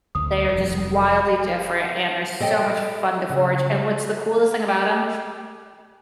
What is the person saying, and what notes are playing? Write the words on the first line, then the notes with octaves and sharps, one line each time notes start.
They are just wildly different, and they're so much fun to forage, and what's the coolest thing about 'em
D2 D#6
F1 F3
A4 D#5 E5 G5
C#3
G4